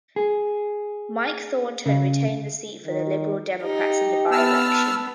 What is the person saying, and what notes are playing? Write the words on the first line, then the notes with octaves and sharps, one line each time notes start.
Mike Thornton retained the seat for the Liberal Democrats in the by-election.
G#4
C#3
D#3
D#4 G4
B3 A5 E6 F6